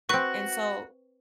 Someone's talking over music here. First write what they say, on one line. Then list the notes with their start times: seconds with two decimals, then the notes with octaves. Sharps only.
And, so,
0.09 C4 F#4 B4 C#6 F#6